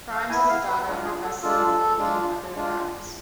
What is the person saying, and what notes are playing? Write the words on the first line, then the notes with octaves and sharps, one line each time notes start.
Grimes is the daughter of Preston Lee and Heather Grimes.
F5
B3 E4 G#5
F5
B4
G#3 D4 F4
G#4
A4
G#3 D4 F4 A4
G#3 D4 F4
G#3 D4 F4